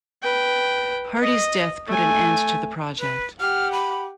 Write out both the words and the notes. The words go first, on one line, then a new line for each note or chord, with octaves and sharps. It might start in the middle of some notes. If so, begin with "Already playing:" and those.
Hardy's death put an end to the project.
B4 G5
D#5
A3 G#5
B4
G4 F#5 F6
B5